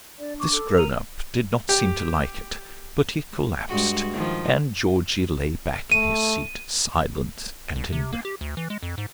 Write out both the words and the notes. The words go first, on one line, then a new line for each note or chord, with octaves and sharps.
This grown-up did not seem to like it, but he collapsed, and Georgie lay back in his seat, silent and enraptured.
D4 D5
C#6 D6
A4
A#4
A#4 A#5 D#7 F7
G4
G2 G#3 F#4
D#3 F3
A3 D#7
C2
C3
A#3
G4
D2
E3
G#3
F2
G#2